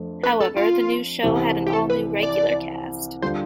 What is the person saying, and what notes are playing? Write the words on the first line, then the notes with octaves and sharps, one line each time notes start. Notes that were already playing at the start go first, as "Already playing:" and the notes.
However, the new show had an all-new regular cast.
Already playing: F2 A3 D4
B4
A4
F4
C2 C3 E3
G4
A4
B4
D5
D3 G3 D4 F4 C5